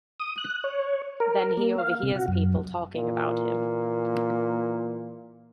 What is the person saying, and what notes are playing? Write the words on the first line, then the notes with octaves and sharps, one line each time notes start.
Then he overhears people talking about him.
D#6
F#6
C#5
A#4
A#3
F5
C3
F#4
F#2
A#2 E3 A#3